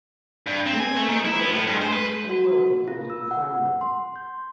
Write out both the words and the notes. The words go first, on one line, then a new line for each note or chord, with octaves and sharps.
He was a member of a prominent and wealthy political family.
G2
C4
G#5
A3
D#3
E4
B3
A2
G2
C5
B4
F#4
D#4
F4
E6
F#5
C6
G6